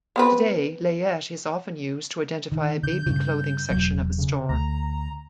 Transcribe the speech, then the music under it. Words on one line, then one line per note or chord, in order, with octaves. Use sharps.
Today "layette" is often used to identify a baby clothing section of a store.
B3 C4 B4
D#3
D3 G6
G2 C#3
E1 C#2 F#3
C#3
D2 A#5